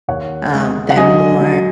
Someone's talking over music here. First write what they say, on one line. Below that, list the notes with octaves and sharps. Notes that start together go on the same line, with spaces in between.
uh, them more
D#2 C#5 F#5
G#3
F#5
F#3 D#5 G#5
F#3